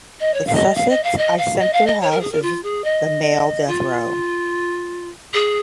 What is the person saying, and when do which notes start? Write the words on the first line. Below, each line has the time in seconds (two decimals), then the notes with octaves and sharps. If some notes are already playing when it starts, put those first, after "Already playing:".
The Sussex I center houses the male death row.
0.20 D#5
0.34 C#5
0.47 F5
0.55 D#5
0.76 F5
0.90 D#5
1.04 F5
1.18 D#5
1.38 F5
1.59 D#5
1.73 F5
1.87 D#5
2.01 C#5
2.11 A#4
2.21 G#4
2.32 A#4
2.42 F4
2.63 G#4
2.84 D#5
3.67 F4
5.34 G#4